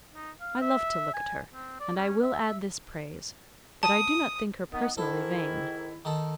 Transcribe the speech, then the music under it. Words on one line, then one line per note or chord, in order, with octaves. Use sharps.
I love to look at her; and I will add this praise, that I do not think her personally vain.
D#4
F5
E5
G#5
C4
D5
C#4
E5
A5 D#6
D#3 B3
G#2 D#3 E4 A4
D#3 A4